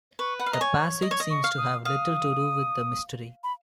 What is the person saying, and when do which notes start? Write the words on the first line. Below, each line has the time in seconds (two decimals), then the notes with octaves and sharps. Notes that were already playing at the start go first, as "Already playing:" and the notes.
The passage seems to have little to do with the mystery.
0.19 B4 C#6
0.40 F#5 B5
0.46 F5
0.52 D#5 A#5
0.60 C#5 G#5
1.02 D#5
1.11 C#5
1.20 D#5
1.30 C#6
1.44 F5
1.57 D#6
1.85 F5 D#6
3.43 B5